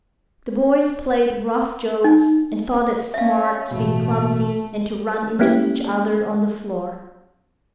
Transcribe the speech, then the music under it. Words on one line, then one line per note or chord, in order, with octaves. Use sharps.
The boys played rough jokes and thought it smart to be clumsy and to run into each other on the floor.
D#4
C#4 E5 F5
A1 B2 A3
A#3 B3 C#4 E4 G4